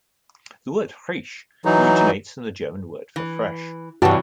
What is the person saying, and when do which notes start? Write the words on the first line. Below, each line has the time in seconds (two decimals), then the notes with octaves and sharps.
The word "Frisch" originates from the German word for "fresh".
1.65 E3 F#3 D#4
3.16 E3
4.02 G2 C3 E3 F#4 D5 G5 A5